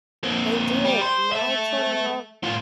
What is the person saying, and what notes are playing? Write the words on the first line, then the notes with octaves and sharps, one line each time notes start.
They did, my children loved
A#3 C4
G3
C5
A4 E5
A2 F4